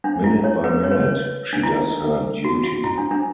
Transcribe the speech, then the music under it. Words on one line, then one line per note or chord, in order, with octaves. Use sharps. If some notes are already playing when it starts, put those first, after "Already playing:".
Minute by minute she does her duty.
D4
E4
C#5
B4
C#5
B4
C#5
D4
E4
F#4
F#4
E4
D4
D4